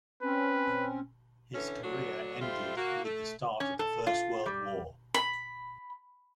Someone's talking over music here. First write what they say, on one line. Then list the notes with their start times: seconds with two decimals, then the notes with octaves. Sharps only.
His career ended with the start of the First World War.
0.23 C4 C#4 B4
1.55 D3 E3 C#4
1.84 D2 F#3 D4 F#4 C#5
2.41 G3 A3 F4 C5 E5
2.77 A#3 F#4
3.05 A3
3.60 C#4
3.79 A4
4.07 F4
4.46 G3
5.14 B5